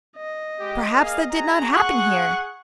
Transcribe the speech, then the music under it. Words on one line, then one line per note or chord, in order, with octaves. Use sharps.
Perhaps that did not happen here!
D#5
G#3 G4
A#3 G#4 F5
F#4 G#4 A#5
G#4 F#5 C#6 F#6